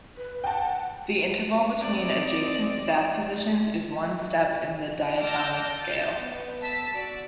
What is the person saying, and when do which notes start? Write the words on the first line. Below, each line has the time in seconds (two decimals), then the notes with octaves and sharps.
The interval between adjacent staff positions is one step in the diatonic scale.
0.17 B4
0.44 F#5 G5 A5
1.79 C4 D5 D#5
5.19 A5 D6 E6 F6 G6 A#6
5.76 G6 A6
6.18 B3
6.61 A5 E6 B6
6.91 F#4 D5